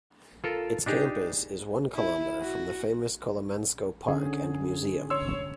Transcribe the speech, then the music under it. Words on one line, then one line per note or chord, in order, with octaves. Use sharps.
Its campus is one kilometre from the famous Kolomenskoe park and museum.
F4 A4 A#4
D4 D#4 G4 G#4
E4
F#4
D3 C#4 G#4
C#5 C6 E6